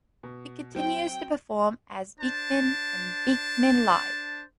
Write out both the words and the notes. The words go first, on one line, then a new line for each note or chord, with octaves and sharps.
He continues to perform as Beakman in Beakman Live!
B2
F#3 C4 G5
D4 C5 A5